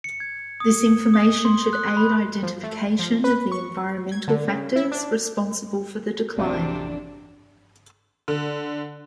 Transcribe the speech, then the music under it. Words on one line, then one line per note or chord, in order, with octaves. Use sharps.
This information should aid identification of the environmental factors responsible for the decline.
C#7
G#6
D#6
D#6
C6
F#6
B5
F3
A3
F3
B4
C#6
G#6
D3
C#3
E4
D4
A1 F2 C3 D4 F#4 D5 E5
D3